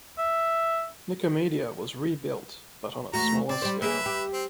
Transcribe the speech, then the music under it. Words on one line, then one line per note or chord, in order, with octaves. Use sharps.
Nicomedia was rebuilt, but on a smaller scale.
E5
E2 A3 F#4 A#5
C4 D5
G3 G4 C5
A#3 G#4 B4 E5
G4
C4